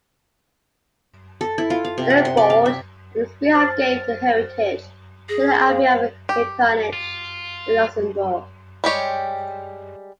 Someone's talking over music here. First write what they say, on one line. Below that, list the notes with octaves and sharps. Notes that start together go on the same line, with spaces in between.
Wilibrord on his behalf gave the heritage to the Abbey of Echternach in Luxembourg.
A4
E4
F4
F5
C3
F#5
C6
D5
F5
E5
C5 F6 A6
G#4 A#6
C5 F5
G4
F4
G3 G#3 G4 C#5